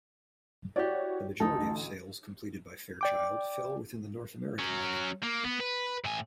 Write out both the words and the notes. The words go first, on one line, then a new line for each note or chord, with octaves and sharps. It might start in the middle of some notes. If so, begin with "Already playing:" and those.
The majority of sales completed by Fairchild fell within the North American market.
E4 F#4 G4 C#5 D5
A1 D2 D#4 A4
D5 G5 D6
F#3 C#4
A#3
B3
B4
A2 G#5